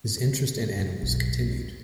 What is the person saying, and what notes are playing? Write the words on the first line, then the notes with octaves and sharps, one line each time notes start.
His interest in animals continued.
B1